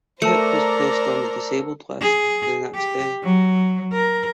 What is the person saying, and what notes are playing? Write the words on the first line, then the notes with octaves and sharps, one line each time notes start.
Cook was placed on the disabled list the next day.
A3 A#4 C5 D5 A5 A#5 E6 C#7
G#4
G4
F#3
A#4